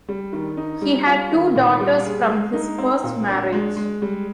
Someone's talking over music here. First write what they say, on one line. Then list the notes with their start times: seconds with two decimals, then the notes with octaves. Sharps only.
He had two daughters from his first marriage.
0.09 G3
0.33 D#3
0.57 D#4
0.81 G3
1.07 F4
1.31 D#3
1.56 A#2
1.80 G3
2.05 G#4
2.29 G#3
2.54 D#4
2.78 C4
3.04 A#2
3.28 D4
3.53 G#3
3.76 G#3
4.02 G3